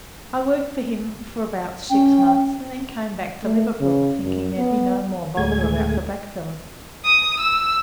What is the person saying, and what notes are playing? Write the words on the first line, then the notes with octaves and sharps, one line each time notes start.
I worked for him for about six months, and then come back to Liverpool, thinking there'd be no more bother about the blackfellow.
C#4 G5
A3
C#3
F#2
B3
D2 A2 G#3 A3 G#5 G#6
D#6
E6